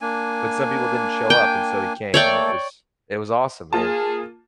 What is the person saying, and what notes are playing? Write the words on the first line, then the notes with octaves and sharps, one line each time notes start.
but some people didn't show up and so he came and it was it was awesome, man.
A#3 D4 G#5
G5
A3 A#3 A4 C#5 D5 G5
A#3 F4 G#4 A5